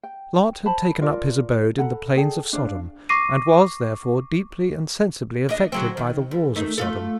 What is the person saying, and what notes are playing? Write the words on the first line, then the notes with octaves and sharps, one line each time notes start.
Lot had taken up his abode in the plains of Sodom, and was, therefore, deeply and sensibly affected by the wars of Sodom.
G5
C5 A5 B5
F4 A#4 D5
A4 F#5 A#5 B5
G#4 A4 D5 G5
D4 C#5 D5 F5
C#6 D6 A#6 C7 D#7
D4 D#5
D3 F#3 C4
D#3
E2
D#3 A3 D#4
A3 F4 A4